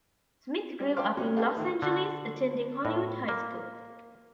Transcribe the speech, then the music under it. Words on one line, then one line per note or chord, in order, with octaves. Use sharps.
Smith grew up in Los Angeles, attending Hollywood High School.
G3
F5 G5 A5 C6 D6 F6
C3 F#3 G3 A#3 C#4
A3 G4 A4 B4 F5 A5
A2 D#3 E3
D3
A2
A#3